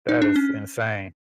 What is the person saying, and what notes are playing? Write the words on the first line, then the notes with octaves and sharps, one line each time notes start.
That is insane.
D#4
D4
C#4